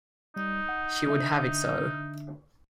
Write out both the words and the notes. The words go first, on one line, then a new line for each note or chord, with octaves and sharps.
She would have it so.
G3 D#4
F#5
D3 D4 E5